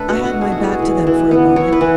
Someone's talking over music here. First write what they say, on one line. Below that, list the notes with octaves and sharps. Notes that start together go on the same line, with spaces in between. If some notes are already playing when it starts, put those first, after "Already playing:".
I had my back to them for a moment.
Already playing: A3 D4 A4 B4
B2 F#4
F#4
A3
G#4
F#4
E4
G#4
E3
E3
B3
E4 C#5
B4
E3